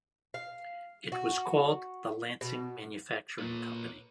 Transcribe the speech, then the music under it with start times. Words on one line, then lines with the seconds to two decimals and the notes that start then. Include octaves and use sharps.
It was called the Lansing Manufacturing Company.
0.34 F5
1.12 F#4
2.41 B2
3.39 A#2 B4 C#5